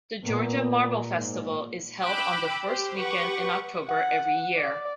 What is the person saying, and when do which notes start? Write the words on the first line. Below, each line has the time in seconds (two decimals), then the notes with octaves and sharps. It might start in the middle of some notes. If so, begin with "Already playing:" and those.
The Georgia Marble Festival is held on the first weekend in October every year.
0.23 A#2 B3
1.14 G#2
2.02 G5 B5 D6 E6 F#6
2.65 G4 C5
2.98 G4 B4 F#5 C#6 D6
3.88 F#5
4.56 D5